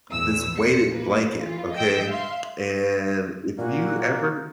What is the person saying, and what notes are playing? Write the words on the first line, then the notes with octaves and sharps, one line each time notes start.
this weighted blanket, okay? And if you ever
A#1 E2 B2 E6
A#1 C4 C#7
A#3 B4
E3 F4
D#5 G5 E6 G6
E5 F5 C6
A#2 A#3 F#4